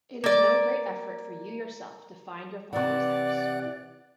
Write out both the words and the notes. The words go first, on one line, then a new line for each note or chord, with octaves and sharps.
It is no great effort for you yourself to find your father’s house.
A#3 D5
C3 E3 D5 F#5 F#6